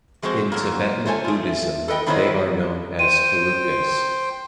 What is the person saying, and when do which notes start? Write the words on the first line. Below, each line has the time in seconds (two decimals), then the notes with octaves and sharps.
In Tibetan Buddhism, they are known as Herukas.
0.22 F3 G#3 C4 F#4 C5
0.52 F#3 G#3 A#3
1.06 A3 F4 A4 C5 C#5 G#5
1.24 A3 F4
1.88 A4 B4 D#5 G5
2.06 D#3 B3 E4 C5 C#5 D#5
2.99 C5 G5 D#7